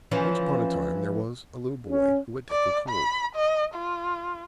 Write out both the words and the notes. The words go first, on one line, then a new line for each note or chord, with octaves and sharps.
Once upon a time there was a little boy who had taken cold.
E3 F3 C#4
C#4
D5
B5
D#5
F4